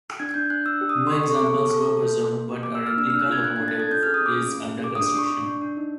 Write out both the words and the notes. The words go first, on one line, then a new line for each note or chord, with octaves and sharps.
No examples were preserved but a replica locomotive is under construction.
D4 G#6
D4 G6
D4 F#6
D4 E6
G4
D#6
D4
C6
A4 C#6
C#6
A4
D6
B3 C#6
A4
A4
A4
A#3
A#3
A#3
G4
D6
A#3
E6
A#3 F6
D4 E6
F6
D4
F#6
F4 G#6
F4 F#6
G#6
D4
A6
A4 G#6
C#4 G6
F6
G#4
D#6
C#4 D6
C#4
F4
G#4
G4 D6
D#6
D4
D6
D4 C#6
D4
D4
D4
D#4